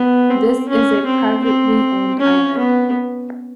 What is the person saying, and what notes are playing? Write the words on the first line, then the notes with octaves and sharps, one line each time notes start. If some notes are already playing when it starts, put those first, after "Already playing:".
This is a privately owned island.
Already playing: B3
C4
C#4
C4
C4
C#4
B3